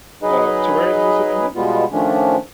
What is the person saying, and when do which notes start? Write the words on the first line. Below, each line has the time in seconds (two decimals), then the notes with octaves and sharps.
Uh, so where is this in England?
0.23 F#3 D#4 G#4 B4 D#5
1.56 B2 G3 G#3 B3 F4
1.92 D#3 F3 A3 C#4 D4